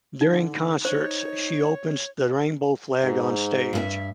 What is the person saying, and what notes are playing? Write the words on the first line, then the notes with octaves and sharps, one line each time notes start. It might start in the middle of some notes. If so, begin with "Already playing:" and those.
During concerts she opens the rainbow flag on stage.
D3 D#4
D#4 C5 C#5
G#2
G2 G#4 E5